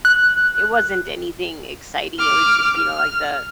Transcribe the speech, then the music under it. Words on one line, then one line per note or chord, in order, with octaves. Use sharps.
it wasn't anything exciting, it was just, you know, like the
F#6
D6 F6
F6